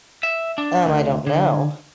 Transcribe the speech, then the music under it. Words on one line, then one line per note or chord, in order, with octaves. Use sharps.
Um, I don't know.
E5
D4
D2
D3